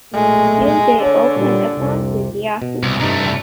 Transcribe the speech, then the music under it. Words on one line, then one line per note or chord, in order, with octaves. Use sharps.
Uday opened accounts with Yahoo!
B1 A#2 G#3 A3
G#3
D3 C#5
A#2 G3
C2 F2 C3
B2
C2
C2 G2 A3 D#4 A#5
G3 E4